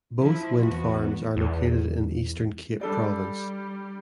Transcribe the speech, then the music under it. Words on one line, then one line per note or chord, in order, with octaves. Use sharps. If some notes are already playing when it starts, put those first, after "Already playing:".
Both wind farms are located in Eastern Cape Province.
F3 E4
E2 B3 F#4
E2
G3 D4 A4 D5